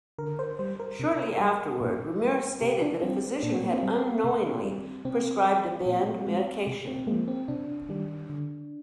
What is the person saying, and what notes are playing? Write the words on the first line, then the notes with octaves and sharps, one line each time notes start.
Shortly afterward, Ramirez stated that a physician had unknowingly prescribed a banned medication.
D3 A#4
C5
G3 C5
A#4
C3
G3
A#2
G3
C3 G4
D4
G3 C4
A#2 D4
C4
A#3
C4
G3
C3
G3
C3 C4
G3
A#2
G#3
C3
C4
F3 G#3 A#3
C4
C3 D4
D#3 G3
D3